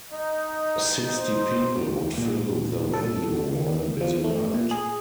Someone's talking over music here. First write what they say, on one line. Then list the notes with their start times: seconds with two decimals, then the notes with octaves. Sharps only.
Sixty people would fill the venue on a busy night.
0.12 D#4 D#5
1.14 C5
2.18 A#2
2.94 A4
3.55 D#3
4.01 F3
4.24 A3
4.54 A#2
4.71 G#4